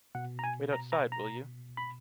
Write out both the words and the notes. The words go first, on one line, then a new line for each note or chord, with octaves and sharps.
Wait outside, will you.
B2 F#5
A#5
G#5
A#5
A#5
A#5
B5